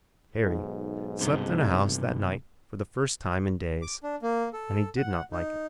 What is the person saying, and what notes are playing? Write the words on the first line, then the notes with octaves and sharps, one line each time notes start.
Harry slept in a house that night for the first time in days, and he did not like it.
B1 G#2
G2 C3
D6
D4
A#3
A4
F#5
D#4